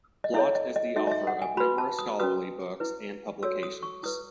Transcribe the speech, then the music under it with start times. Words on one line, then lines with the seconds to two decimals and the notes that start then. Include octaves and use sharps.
Plott is the author of numerous scholarly books and publications.
0.24 D#5
0.34 E4 A4 C#5 E5
0.55 D#5
0.76 D#5
0.96 D#4 F#4 A4 E5
1.07 D#5
1.11 E5
1.27 F#5
1.42 G#5
1.57 F#4 B4 B5
1.78 A5
1.99 D#6
2.19 C#4 F#4 B4 D#6
2.80 E4 B4
3.43 F#4 A4 C#5 E6
3.63 D#6
3.83 C#6
4.03 E4 B4 D#6